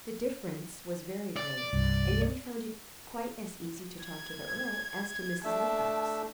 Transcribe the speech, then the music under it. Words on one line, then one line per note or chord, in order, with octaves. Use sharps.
The difference was very great, and yet he found it quite as easy to talk to the earl as to Mrs. Lupex.
D5
C2 G2
G#6
A3 D4 E5 A5